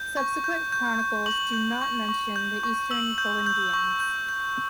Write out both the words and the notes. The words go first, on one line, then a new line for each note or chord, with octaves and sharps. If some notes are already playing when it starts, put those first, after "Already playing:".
Subsequent chronicles do not mention the Eastern Galindians.
Already playing: G6
C#6
G6
G6
G6
C#6 F#7
G6
C#6
C#6
G6
C#6
E6 F#7
G6
G6
C#6
G6
G6